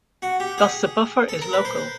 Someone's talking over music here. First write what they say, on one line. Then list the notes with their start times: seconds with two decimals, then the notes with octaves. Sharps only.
Thus the buffer is local.
0.22 F#4
0.40 G4
0.58 G#4
1.29 A4
1.42 A#4
1.53 B4
1.65 C5